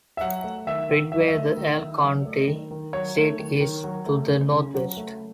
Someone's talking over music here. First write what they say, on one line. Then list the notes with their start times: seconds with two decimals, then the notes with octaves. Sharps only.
Ridgway, the Elk County seat, is to the northwest.
0.17 E5
0.21 F#3 F#5
0.44 A3
0.67 D#3 E5
0.89 D#3
1.12 F#3 E5
1.20 D#5
1.28 E5
1.35 A3
1.57 D#3
1.80 D#3
2.03 F#3
2.25 A3
2.47 D#3
2.71 D#3
2.93 F#3 C#5
3.16 A3
3.39 D#3
3.60 D#3
3.84 F#3
4.06 A3
4.29 C#3
4.52 C#3
4.74 F#3
4.97 A3